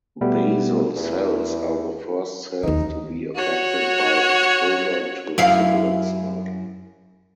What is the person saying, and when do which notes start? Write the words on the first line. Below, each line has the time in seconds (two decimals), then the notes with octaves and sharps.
Basal cells are the first cells to be affected by exposure to cigarette smoke.
0.21 B2 G3 A3 B3
0.96 E2
2.63 D#2 D#3 D#4
3.35 F#4 C#5
5.38 F#2 E4 F5